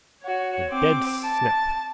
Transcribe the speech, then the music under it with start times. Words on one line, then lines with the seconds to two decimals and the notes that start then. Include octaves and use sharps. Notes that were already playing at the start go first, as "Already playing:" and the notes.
A dead snip.
0.23 F#4 C#5
0.69 C4 D6
1.24 A5